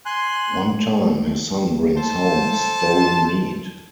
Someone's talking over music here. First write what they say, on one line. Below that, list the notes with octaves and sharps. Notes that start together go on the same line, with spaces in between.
One time, his son brings home stolen meat.
G#5 C6 F#6
A4 C5 A5